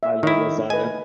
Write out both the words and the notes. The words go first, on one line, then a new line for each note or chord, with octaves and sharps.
I love lasagna,
E5
D#3 E4
B4 D#5 G#5